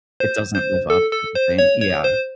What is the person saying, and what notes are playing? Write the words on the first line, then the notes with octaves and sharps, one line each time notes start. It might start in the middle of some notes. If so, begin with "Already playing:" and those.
It doesn't live up to the same Yeah,
C5
C5
A4
A4
C5
C#5
C#5
C5